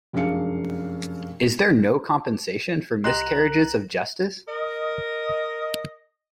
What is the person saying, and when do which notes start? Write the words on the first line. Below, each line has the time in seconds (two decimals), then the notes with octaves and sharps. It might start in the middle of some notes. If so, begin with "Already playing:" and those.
Is there no compensation for miscarriages of justice?
0.13 F1 F#2 G#3 D4 F5 C#7
3.04 C2 G4 D#5 A#5 C6 F#6 A#6 F#7
4.47 A#4 D#5